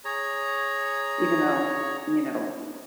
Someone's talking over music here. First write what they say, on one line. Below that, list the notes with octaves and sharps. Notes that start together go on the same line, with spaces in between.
even though, you know,
G#4 C#5 A#5